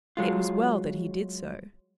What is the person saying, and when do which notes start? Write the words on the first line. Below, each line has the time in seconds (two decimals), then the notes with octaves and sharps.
It was well that he did so.
0.17 F#3 G#3 F4